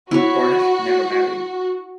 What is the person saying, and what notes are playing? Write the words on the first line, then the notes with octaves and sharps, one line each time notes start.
Cornish never married.
E4 F#4 C#5